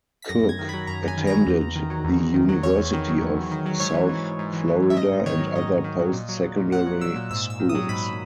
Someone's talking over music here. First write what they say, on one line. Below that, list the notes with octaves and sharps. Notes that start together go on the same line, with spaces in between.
Cook attended the University of South Florida and other post-secondary schools.
B6
F#2 A#6
F#2
G#6
D#3
F#3 B5
F#2 A#5
F#2
G#5
D#3
F#3 A#5
E2
E2
D#3
F#3
E2
E2
D#3
F#3
E2 C#5
E2
D#3
F#3
E2
E2
D#3
F#3
G#2 C#5
E3
E3
G#2
G#2
E3
E3
G#2
E5
G#2 D#5
G#2
D#3 C#5
F#3
G#2 D#5
G#2
D#3
F#3
A#2
F#3
F#3
A#2
A#2 F#5
F#3
F#3 E6
A#2
G#2 E6
G#2
E6
D#3
D#6
F#3
G#2 B5